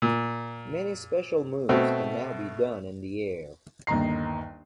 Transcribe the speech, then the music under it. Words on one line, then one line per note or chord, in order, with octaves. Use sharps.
Many special moves can now be done in the air.
A#2
B2 A3 C4
G1 D#2 D#3 A#5 C7